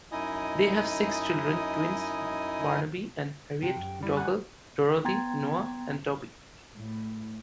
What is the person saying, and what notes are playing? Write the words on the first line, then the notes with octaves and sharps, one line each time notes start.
They have six children, twins Barnaby and Harriet, Dougal, Dorothy, Noah and Toby.
F#2 D#4 E4 D#5 G#5 D#6
C3 G5
F#2
G3 E4 B5
G1 F#5 G#5 F#6
B3 G5 A#5 C6 G#6 A6
A2